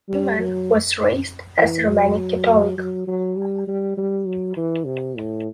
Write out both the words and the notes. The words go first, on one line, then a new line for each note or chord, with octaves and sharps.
Freeman was raised as a Roman Catholic.
G3
F#3
E3
F#3
F#3
F#3
G3
G3
G3
F#3
E3
C3
A2